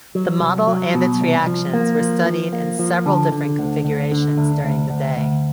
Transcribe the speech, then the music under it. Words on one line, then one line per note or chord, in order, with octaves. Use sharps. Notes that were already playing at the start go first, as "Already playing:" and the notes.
The model and its reactions were studied in several different configurations during the day.
F#3
C2
F#3
B2
C2
F3
A#3
F3
F3
A#3
F3
D3
D3
D2
D2
D3
D2
D2
D2
D2